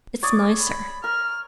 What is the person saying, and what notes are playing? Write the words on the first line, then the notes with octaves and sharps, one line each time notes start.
"It's nicer."
C#5 D5 D#6
B5
A#4 F6